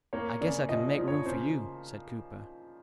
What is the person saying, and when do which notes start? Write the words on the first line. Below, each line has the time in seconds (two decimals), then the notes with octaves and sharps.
"I guess I can make room for you," said Cooper.
0.13 A#3 C#5
0.41 C#3 D5
0.69 F3 D#5
0.88 D5
0.97 F3
1.08 C#5
1.26 C#3 C5